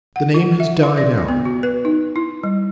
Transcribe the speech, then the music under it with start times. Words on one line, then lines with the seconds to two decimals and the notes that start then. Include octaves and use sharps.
The name has died out.
0.16 F#5
0.34 F4
0.60 E5
0.83 C6
0.98 D5
1.28 B3
1.45 F#4
1.63 B4
1.85 D#4
2.16 E4
2.43 G3